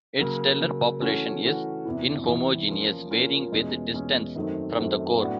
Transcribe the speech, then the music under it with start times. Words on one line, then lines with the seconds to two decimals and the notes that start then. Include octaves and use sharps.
Its stellar population is inhomogeneous, varying with distance from the core.
0.19 C#3 F#3 A#3
0.61 C#3 F#3 A#3
1.02 E3 A3 C#4 F#4
1.43 E3 A3 C#4 F#4
1.86 E2 C3 E3
2.27 E2 C3 E3
2.68 F3 A#3 C#4 F4
3.10 F3 A#3 C#4 F4
3.52 E2 B2 G#3 C#4
3.94 E2 B2 G#3 C#4
4.36 F#2 D#3 F#3 A3 C4
4.77 F#2 D#3 F#3 A3 C4
5.19 A2 F#3 B3 D4 F#4